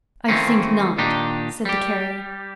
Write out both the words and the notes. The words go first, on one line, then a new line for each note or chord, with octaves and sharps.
"I think not," said the Carrier.
D#3 E3 A3 A#3 C4 C#4
A#2 D#3 D4 D#4 G4
G3 G4